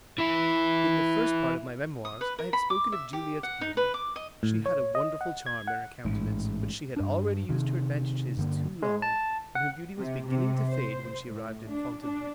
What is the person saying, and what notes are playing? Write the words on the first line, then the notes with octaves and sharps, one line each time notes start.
In the first part of my Memoirs I have spoken of Juliette's beauty; she had a wonderful charm in her countenance, but she had already used her advantages too long, and her beauty was beginning to fade when she arrived in Fontainebleau.
E3 E4
D#6
B4
A#4
B5
D6
E5
G4
F#5
D#4
B4
D6
D#5
A2
C#5
D#5
F#5
G#6
F#5
A1 G#2
G2 D4
C3 D#3
G2 D3 A#3
G#3
A5
F#5
C3
C3
C5
A2
D4
D4